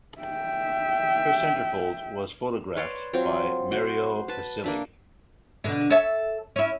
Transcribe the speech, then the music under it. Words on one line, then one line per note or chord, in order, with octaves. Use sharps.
Her centerfold was photographed by Mario Casilli.
E5 G5
B4 C#5 D5 C6
F#3 C4 F4
F#4 C5
B4 A5
A#3 D4 E5
B2 D3 D4
A4 C#5 E5
C#4 E4